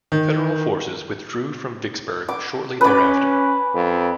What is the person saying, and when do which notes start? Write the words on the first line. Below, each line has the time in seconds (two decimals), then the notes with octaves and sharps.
Federal forces withdrew from Vicksburg shortly thereafter.
0.12 D#3
2.28 D6
2.81 C#4 B4 D6
3.75 F2